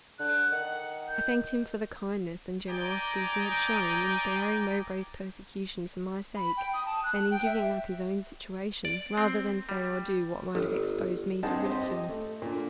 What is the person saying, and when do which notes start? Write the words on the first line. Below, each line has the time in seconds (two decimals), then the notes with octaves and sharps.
I thanked him for the kindness and generosity he had shown in bearing Mowbray's persecution for my sake, and in giving up his own situation, rather than say or do what might have exposed me to ridicule.
0.19 D3 F#6
0.52 D#3 F#5
1.09 G6
2.69 D5 D#5 G5 G#5 A#5 D6
6.36 B5
6.57 G5
6.73 D#6
6.86 A5
7.03 F#6
7.31 G5
7.45 E5
8.85 D5
9.17 C4
9.69 G3
10.55 G1
11.43 G2 C4 D#4 G#4 F#5 A5
11.64 C4 G4 C5 D#5
11.82 D#5
12.09 A3
12.42 A#2 D3